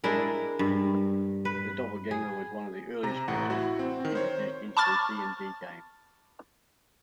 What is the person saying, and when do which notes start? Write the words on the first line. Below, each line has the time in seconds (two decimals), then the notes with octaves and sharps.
The doppelganger was one of the earliest creatures introduced in the D&D game.
0.04 G#3 D4 E4 A#4
0.59 G2
1.45 B4
2.11 G#4
3.03 C3 A#5
3.28 A1 A2 F#5
3.50 E4 F#4
3.79 C4
4.00 D#3 C4
4.15 C5 C#5
4.77 A5 B5 C#6 D6 F6 A6